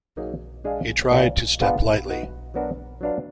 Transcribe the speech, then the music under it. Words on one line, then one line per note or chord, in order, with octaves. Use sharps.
He tried to step lightly.
F#3 A#3 D#4 G#4
G#3 D4 G#4 D5 F5
A#2 G#3 D#4 A#4 D5
B3 D4 F4 G#4 D5
B3 D#4 F#4
F#3 B3 D4 F#4 A#4
F#3 D4 F4 B4 F5